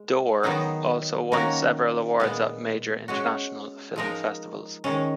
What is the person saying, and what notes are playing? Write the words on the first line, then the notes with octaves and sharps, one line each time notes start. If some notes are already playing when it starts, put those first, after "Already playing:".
"Door" also won several awards at major international film festivals.
Already playing: G#3
D#3 F#3 B3 D#4 G#4
D#3 A#3 C#4 F#4 A#4
A#2 G#3 B3
G#3 C#4 F#4
F3 G#3 D#4 A#4
D#3 G#3 C#4